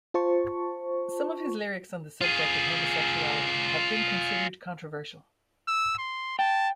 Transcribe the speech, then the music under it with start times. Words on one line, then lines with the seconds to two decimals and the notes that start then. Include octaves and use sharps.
Some of his lyrics on the subject of homosexuality have been considered controversial.
0.14 F4 C5 A5 C#6
2.21 F4 G#4
5.68 E6
5.98 C6
6.39 G5 A5